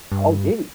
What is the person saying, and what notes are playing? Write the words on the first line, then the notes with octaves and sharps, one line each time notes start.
Oh, did he?
G2